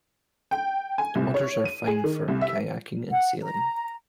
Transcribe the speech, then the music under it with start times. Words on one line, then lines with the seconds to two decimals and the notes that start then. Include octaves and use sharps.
The waters are fine for kayaking and sailing.
0.51 G5
0.98 G#5
1.15 C2
1.34 C#5
1.65 D#7
1.87 G#4
2.04 D#3
2.28 C2
2.41 E5
3.11 F#5
3.43 A#5